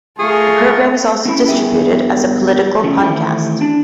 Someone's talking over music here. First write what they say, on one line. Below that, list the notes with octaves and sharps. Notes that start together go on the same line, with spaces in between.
The program is also distributed as a political podcast.
A3 F4 G#4 A#4 C#6
C4 C#4 E4 B5
G2 B3 G#4 A#4 E5 G5
F2 C#3 F3
D#3 E3 A3 C4
D4 A5